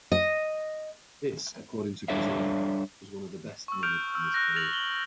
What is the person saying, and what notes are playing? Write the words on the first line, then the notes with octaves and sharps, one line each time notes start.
This according to Kazuya, was one of the best moments in his career.
D#5
G3 D4 A4 C#5 E5 F5
C#6 E6
F6 G6 D7 F7
E6
F6 F#6 A#6
F6 A6 F7 F#7
F#7 G7